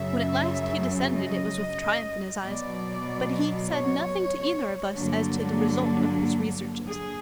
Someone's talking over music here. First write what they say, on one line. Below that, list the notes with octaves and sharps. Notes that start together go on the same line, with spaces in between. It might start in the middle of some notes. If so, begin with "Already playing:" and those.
When at last he descended, it was with triumph in his eyes, but he said nothing to either of us as to the result of his researches.
Already playing: F#2 C#3 F#3 E5
D#5
B2 F#3 B3 D5
C#5
G2 D3 F#3 A#3 D4
G#4